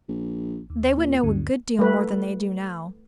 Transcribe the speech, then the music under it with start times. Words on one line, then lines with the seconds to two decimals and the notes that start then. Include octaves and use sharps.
They would know a good deal more than they do now.
0.09 A#1
0.70 D#2
0.97 A#2
1.23 F#1 D2 G2 D3
1.79 A3 B4